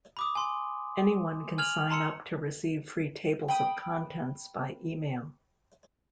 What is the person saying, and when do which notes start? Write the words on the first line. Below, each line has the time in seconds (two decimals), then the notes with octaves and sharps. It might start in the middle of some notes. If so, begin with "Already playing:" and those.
Anyone can sign up to receive free tables of contents by email.
0.17 B5 D6 D#6
0.35 G#5 C6
1.58 G#5 F6 G#6 F7 F#7
1.89 A5 A#5 C6 E6 C#7
3.48 G5 B5 D#6